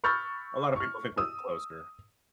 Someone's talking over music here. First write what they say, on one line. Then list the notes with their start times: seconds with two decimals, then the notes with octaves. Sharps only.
A lotta people think we're closer,
0.04 B5 C#6 E6 F6 G6 A6
0.76 C#6 F6
1.18 D#6 E6